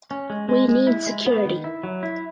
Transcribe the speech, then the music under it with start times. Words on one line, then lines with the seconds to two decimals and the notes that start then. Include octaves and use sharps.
We need security.
0.11 C#4
0.30 G#3
0.49 G#3
0.69 G#3
0.87 E4
1.06 G#3
1.26 B3
1.45 D#3
1.64 E4
1.84 F#3
2.03 E4